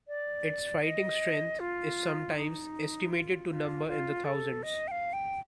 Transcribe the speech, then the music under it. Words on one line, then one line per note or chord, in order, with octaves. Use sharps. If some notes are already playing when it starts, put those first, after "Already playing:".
Its fighting strength is "sometimes estimated to number in the thousands".
D5
D#5
F4
D#4
F4
F4
F4
A4
D#5
G5
F5
G5